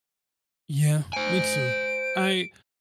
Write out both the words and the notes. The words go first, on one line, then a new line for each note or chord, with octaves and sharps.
Yeah, me too. I
C5 G#5 D7